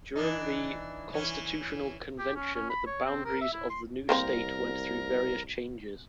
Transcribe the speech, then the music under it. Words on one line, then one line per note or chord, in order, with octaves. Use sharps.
During the constitutional convention the boundaries of the new state went through various changes.
E3 D4 D#4
E3 C#4
G4
C#4
C#4
B5
C#5
C4
A#4
E5
E4
C6
C2 A#3 C4 A#4 C5